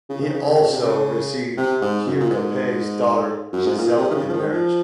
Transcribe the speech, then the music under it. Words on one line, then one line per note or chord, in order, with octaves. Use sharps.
He also received Hugh Capet's daughter, Gisela, in marriage.
C#3
D#3
C#3
C3
C#3
C3
G#2
F#2
A#2
G#2
F#2
G#2
A#2
C3
D#3
C#3
F3
D#3
F3